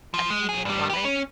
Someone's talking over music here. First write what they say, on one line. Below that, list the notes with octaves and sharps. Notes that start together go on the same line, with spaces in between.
Opinions on it.
F3
G#3
B1 G#4
G2 G3
G4 B4
C#4